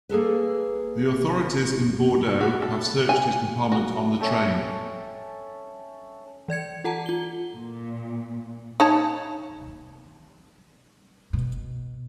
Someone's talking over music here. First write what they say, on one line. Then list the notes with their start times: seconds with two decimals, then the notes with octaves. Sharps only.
The authorities in Bordeaux have searched his compartment on the train.
0.09 A#3 G#4 A4 B4
2.41 F#4
2.62 A4
3.09 G#5
3.72 F#4
4.20 C#4 A4 E5 G5
6.48 E3 D5 G#6 C#7
6.84 F4 A4 F#5 A5 A#5
7.06 F4 G7
7.54 A#2
8.80 D#4 C#5 A5
11.33 B2